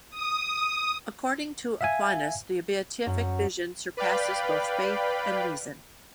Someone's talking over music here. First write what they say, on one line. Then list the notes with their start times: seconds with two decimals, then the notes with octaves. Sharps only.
According to Aquinas, the Beatific Vision surpasses both faith and reason.
0.10 D#6
1.81 E5 F5 G#5
3.06 F#2
3.97 B4 D5 F5 G5 B5